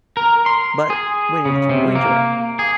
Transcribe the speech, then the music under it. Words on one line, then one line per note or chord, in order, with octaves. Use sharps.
but, when it's winter,
A#4
C6
G#4
C#3
C3
A#3
G#4